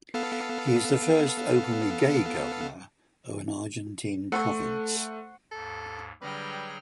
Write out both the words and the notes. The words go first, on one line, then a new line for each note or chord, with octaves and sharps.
He is the first openly gay governor of an Argentine province.
B3 A4 F5
A3 A4 F#5 C6 C#6
D#2 G#2 A4
D3 F#3 G3 G#4 B4 G5 F6 A#6